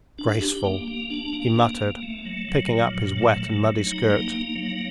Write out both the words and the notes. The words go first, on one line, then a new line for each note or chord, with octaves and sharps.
"Disgraceful!" he muttered, picking up his wet and muddy skirt.
D4
G4
A#3
A#3
D4
A#3
A#3
A#3
A3
F#3
F#3
A#2
F#3
A3
F#3
F#3
D#4
A#3
A#3
F#3